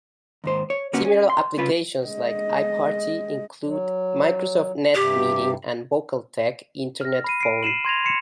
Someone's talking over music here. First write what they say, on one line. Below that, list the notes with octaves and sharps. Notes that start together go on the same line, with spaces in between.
Similar applications like iParty include Microsoft NetMeeting and VocalTec Internet Phone.
D#2 G#2 C5
C#5
D2 A#3 C#4 F#4 B4 F#5
C#4
C6
C2 C#3 F4 B4
G#3 D#5
F#3
G2 C3 G4
F6 A#6
B5 C7 D#7
C7 D7
C7 D#7 E7 F#7
C6 G#6 A#6 F7
C6 C7 C#7 E7